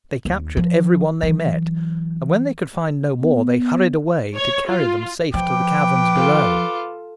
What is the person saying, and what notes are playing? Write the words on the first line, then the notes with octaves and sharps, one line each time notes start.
They captured every one they met, and when they could find no more, they hurried away to carry them safe to the caverns below.
D#2
F3
E3 F#3
B3
C#5
F4
F3 B4 G5 D6
F4 A4